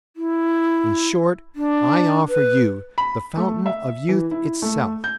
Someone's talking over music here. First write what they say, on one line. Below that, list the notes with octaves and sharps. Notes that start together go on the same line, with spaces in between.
"In short, I offer you the fountain of youth itself!"
E4
D4
B4
B5
A3
E5
E3
E4
A3
G6